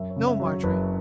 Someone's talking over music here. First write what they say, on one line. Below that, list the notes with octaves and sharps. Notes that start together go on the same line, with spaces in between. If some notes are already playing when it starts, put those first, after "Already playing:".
No, Marjorie.
Already playing: F#2 E5
C#5
C#3
E5
F#3
C#5
F#1 B4